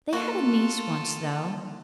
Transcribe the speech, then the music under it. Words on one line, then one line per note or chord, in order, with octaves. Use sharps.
They had a niece once, though.
A#3 F4 F#4 A4